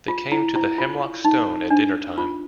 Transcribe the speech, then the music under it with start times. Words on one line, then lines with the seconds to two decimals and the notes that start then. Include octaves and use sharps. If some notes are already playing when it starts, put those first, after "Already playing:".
They came to the Hemlock Stone at dinner-time.
0.08 F4
0.32 E4
0.56 E4
0.78 F4
1.25 D#4
1.70 D4
2.18 F4